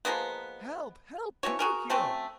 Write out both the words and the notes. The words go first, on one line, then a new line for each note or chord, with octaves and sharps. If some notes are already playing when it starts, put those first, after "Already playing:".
"Help, help, Pinocchio!"
F3 G#3 A#3 B3
E3 F3 F#4 C#5
F#4 G#4 A#4
F#3 A3 C4 C#4